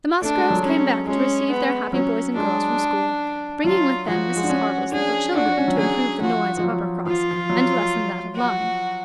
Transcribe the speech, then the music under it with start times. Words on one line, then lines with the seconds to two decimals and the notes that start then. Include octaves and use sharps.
The Musgroves came back to receive their happy boys and girls from school, bringing with them Mrs Harville's little children, to improve the noise of Uppercross, and lessen that of Lyme.
0.21 A3 D4
0.36 G#3
0.50 F#3
0.65 C#4
1.07 G#3 C#4
1.50 B3
1.93 F#3 C#4
2.35 G#3 D4
3.64 F#3 F4
4.07 F3 F#4
4.36 G#3
4.44 D4
4.49 C#4
4.92 D4 G#4
5.35 D4 F#4
5.46 D4
5.57 C#4
5.68 F#3
5.78 F#3 G#4
6.20 F3 F#4
6.57 F3
6.64 F#3
7.06 F3 F4
7.31 F3
7.50 F#3
8.35 F#4